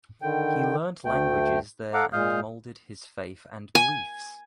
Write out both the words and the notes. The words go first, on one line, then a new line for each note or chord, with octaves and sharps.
He learnt languages there and molded his faith and beliefs.
D3 D#3 G5
D2 A3 G5
A4 F5 F#5 A#5 D6
A#2 G#3 F5 D#6 F6 G6
G#5